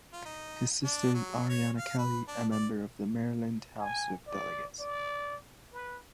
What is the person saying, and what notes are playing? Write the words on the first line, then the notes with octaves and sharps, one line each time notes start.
His sister is Ariana Kelly, a member of the Maryland House of Delegates.
F4
D#4
D4
F#3
C#5
F5
B4
D4
D5
G#5
D5
D5
B4